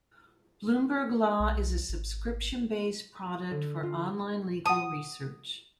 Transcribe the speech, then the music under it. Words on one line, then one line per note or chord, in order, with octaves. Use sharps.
Bloomberg Law is a subscription-based product for online legal research.
B1
G#1
D#6
D3
F4
F#5 A5 D#6